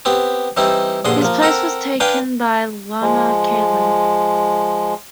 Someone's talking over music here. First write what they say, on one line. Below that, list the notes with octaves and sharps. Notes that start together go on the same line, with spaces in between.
His place was taken by Lana Kaelin.
B3 C4 G4
E3 G3 C4 D#4 E4
A#1 G2 D3 G#4 F#5 C6
F3 A#3
C4 A4 A#4 F#5
D4 B4 F5 G5 G#5
F3 G#3